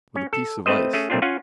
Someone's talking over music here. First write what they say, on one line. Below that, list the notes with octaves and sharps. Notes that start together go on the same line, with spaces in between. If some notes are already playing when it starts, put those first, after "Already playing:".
"With a piece of ice."
C#4
A4
A3 C4 B4 C5 D#5
A3 C#4 G#4
B1 A#2 A3 C4 D4 F4
C#4 F4 F5 F#5 G#5